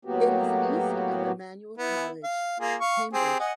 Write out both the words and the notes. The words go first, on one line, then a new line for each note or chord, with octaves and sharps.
It is east of Emmanuel College, Cambridge.
A2 F#3 A#3 B3 F#4 G4
B3 E4
F5
A#3 F4 G#4
F5 C#6
C4 G4 G#4
D#5 F#5 G#5